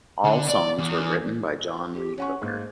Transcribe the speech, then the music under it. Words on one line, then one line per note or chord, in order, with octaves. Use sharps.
All songs written by John Lee Hooker.
D3
D5
E2
G4
C#4 C#5 F#5 C#6
G#2 A#3